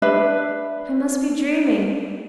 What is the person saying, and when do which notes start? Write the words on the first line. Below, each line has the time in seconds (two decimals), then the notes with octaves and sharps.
I must be dreaming!
0.02 D4 B4 E5